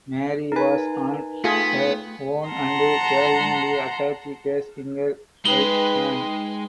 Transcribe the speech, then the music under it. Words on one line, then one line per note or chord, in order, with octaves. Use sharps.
Mary was on her own and carrying the attache case in her right hand.
D#4 A#4 B4 G#5
A3 B3 F4 G#4 G5 G#6
F#5 A5 A#5 C6
G#3 D#4 B4 G5 G7